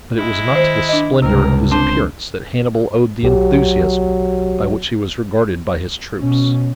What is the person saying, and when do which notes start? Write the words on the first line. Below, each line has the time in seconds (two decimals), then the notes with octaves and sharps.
But it was not to the splendour of his appearance that Hannibal owed the enthusiasm by which he was regarded by his troops.
0.19 G#3 E4
0.51 D#3 C5
0.89 D4 D#5
1.22 C#2 C3 G3 A#4
1.72 C4 D4 C5 A5
3.23 B1 F#3 G4
6.17 B2 C#4